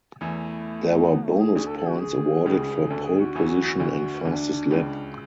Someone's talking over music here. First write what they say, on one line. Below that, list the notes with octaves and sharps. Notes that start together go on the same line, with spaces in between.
There were bonus points awarded for Pole Position and Fastest Lap.
E2 E3 A3
B3
A3
G#4
D2 D3 G#4
A4
A4
F#4
G#4
C#2 C#3
D2 D3 A4
G#4
F#4
E2 E3
D2 D3
D2 D3 D4
C#2 C#3